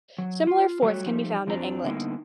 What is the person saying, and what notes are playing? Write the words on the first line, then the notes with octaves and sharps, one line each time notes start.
Similar forts can be found in England.
F#3
F4
F#3 G3 A3 F#4 B4 C#5
F3 G3 A3 D#4
F2 F3 C4 D4 A#5
D3 G3 A#3 B3 D#4 E4